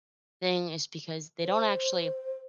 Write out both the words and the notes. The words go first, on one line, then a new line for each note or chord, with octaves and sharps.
thing is because they don't actually
C5